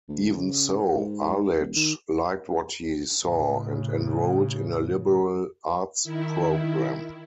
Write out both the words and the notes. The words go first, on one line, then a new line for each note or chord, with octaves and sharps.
Even so, Arledge liked what he saw and enrolled in a liberal-arts program.
D2
C#3
G#2
D#1
D#3
A2 C#3
D#3 E4